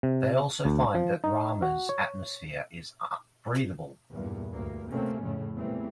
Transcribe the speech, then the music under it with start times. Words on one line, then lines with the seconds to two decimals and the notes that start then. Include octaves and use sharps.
They also find that Rama's atmosphere is breathable.
0.03 C3
0.65 D2
0.95 F3
1.24 D#4
1.62 F#4
1.89 C#5
4.11 E2 G2 A#2
4.51 D2 G2 A#3
4.90 C3 A3 A#3 C4 C#4
5.22 F2 A2 C#3 A3
5.56 E2 A#2 E3 G3 A3 C4